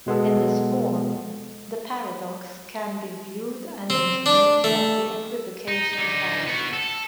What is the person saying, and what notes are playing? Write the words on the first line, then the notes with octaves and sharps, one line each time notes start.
In this form, the paradox can be viewed an instance of the equivocation fallacy.
B2 G#3 B3 A4
C4
D4
A3
D#4
D3 D#4
B3 F#4
A4